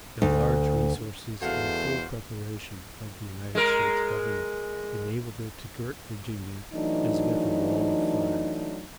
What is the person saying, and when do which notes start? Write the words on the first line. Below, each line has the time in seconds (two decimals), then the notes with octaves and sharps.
The large resources and full preparation of the United States Government enabled it to girt Virginia as with a wall of fire.
0.22 D2
1.42 E2 A3 F#4 C5 F5
3.55 G#3 A#4
6.73 E3 F#3 A3 D4 D#4